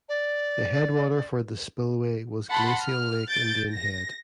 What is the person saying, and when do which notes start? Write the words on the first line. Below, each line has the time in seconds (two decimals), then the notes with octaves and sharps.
The headwater for the spillway was glacial Lake Indian Head.
0.09 D5
2.49 F#5 A5 B5 C6
2.83 F6
3.30 G6 A6 D7
3.71 A#6